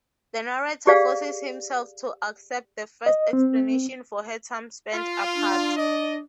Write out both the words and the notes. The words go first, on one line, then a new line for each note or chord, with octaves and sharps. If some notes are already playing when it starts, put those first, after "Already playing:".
The narrator forces himself to accept the first explanation for her time spent apart.
G4 G#4 D5 F5
D#5
C4
F4
D4
D5 D#5